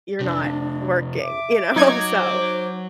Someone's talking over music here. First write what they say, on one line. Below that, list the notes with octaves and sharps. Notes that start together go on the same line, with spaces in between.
you're not working. You know? So,
F2 C3 D4
E5 D6
F#3 D#4 F#4 G#6
C5